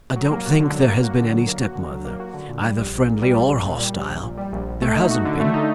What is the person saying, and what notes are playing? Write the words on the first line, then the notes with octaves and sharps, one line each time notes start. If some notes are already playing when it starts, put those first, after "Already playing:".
I don't think there has been any stepmother, either friendly or hostile? There hasn't been.
F#3
A#3
F#4
D3
F#3
A#3
F#4
D3
F#3
A#3
F#4
D3
F#3
A#3
F#4
D3
A#2
G3
A#1
A#1
A#2
G3
A#1
A#1
A#2
G3
A#1
A#1
A#2
G3
A#1
A#1
A3
D#4
F#4
D3
A3
D#4